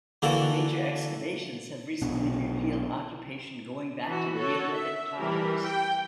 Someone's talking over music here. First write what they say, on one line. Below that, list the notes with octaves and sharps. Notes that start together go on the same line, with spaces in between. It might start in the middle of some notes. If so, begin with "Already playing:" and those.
Major excavations have recently revealed occupation going back to Neolithic times.
D3 E3 A#3 F#4 A4
B1 B2 D4
E3 F#4
F#4 A4 C#5
E5
E3 G3 G4 A#4
G5